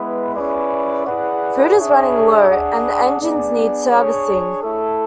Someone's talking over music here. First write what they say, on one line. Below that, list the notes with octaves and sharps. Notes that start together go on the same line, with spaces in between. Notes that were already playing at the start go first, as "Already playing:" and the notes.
Food is running low and the engines need servicing.
Already playing: G#3 B3 E4 B4
C#4 E4 G#4 B4 D5
E4 G#4 B4 D5 F#5
D4 G#4 C#5 E5
D4 G#4 D5 F#5
B3 D4 G#4 D5
D4 G#4 C#5
A3 E4 A4